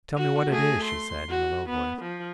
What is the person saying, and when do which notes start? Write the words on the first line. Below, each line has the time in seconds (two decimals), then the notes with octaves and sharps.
'Tell me what it is,' she said, in a low voice.
0.17 F#4
0.49 A3 G#4
0.85 C6
1.29 F#4
1.69 B3
2.02 F3